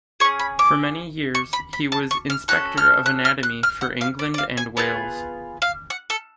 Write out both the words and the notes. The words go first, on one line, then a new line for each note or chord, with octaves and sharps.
For many years he was Inspector of Anatomy for England and Wales.
C#4 G#4 C#6
B5
D6
C#6
B5
B5
A5
C#6
F6
C#4 F#4 A4 F#6
F6
F#6
F6
F#6
F6
F#5
F5
D5
D5
F5
G#5
B3 F4 G#4 A5
F5
F#5
A4